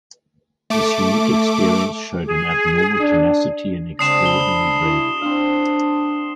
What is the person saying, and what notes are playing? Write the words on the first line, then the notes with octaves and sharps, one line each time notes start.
This unique experience showed an abnormal tenacity and extraordinary bravery.
A3 D6
G#4
D4
C#3 G#3 C4 D4 D#6 C7 E7
A4 B5 G7
E4 C#6
C4 D4 F5